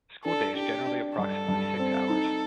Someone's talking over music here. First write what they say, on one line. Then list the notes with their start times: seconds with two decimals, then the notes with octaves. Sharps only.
The school day is generally approximately six hours.
0.25 D4 A4
0.56 D4 G4
0.87 D4
1.18 G2 A4
1.48 G2
1.79 C4
2.10 D#4